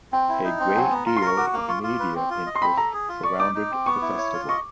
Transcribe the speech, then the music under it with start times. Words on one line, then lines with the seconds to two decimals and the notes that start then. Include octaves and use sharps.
A great deal of media interest surrounded the festival.
0.13 C4 G5
0.29 E4
0.44 D#4
0.59 C4
0.75 F#3 G#5
0.85 G#5
0.90 B3 A#5
1.06 F4 A#5
1.17 C6
1.21 A#4
1.26 C#6
1.37 F#4 D6
1.48 C#6
1.53 A#3 D6
1.68 F4 C#6
1.83 F4
1.99 B4
2.15 C4
2.30 F4
2.46 D#5
2.56 C6
2.62 C4 B5
2.77 A4 A#5
2.93 G#4
3.09 F4
3.23 D5 C#6
3.39 D#4 D6
3.55 D#4
3.71 C4
3.86 B3 C#6
4.02 E4
4.18 C#5
4.33 F4
4.48 D#5 C#6